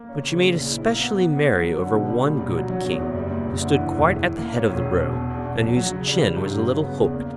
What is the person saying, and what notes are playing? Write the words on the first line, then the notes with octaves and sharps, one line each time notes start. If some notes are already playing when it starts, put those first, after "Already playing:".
But she made specially merry over one good King, who stood quite at the head of the row, and whose chin was a little hooked.
Already playing: A#3
C#4
C#3
A#2
A#1
E4
A#3
B3
B3
B3
B3
F#3
D3
B2
G3
A#2
B1
F#3
F#3
E2
F#1
G3
A#2
F#1
D3
E3
E1
E3
E3
A#3
C#4
E1
E1
B2
B2
E2
B2
F#3
F#3
C#3
G3
G3
G2
F#3
C#3
B3
E2
A#3